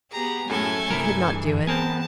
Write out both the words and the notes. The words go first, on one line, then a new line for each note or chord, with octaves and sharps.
I could not do it.
B3 G4 G#4 A#5
F#2 A2 F#3 A3 A4 G#5
G2 C3 E4 A#4
E3 G#4
B3 C4 A#4 G#5 A5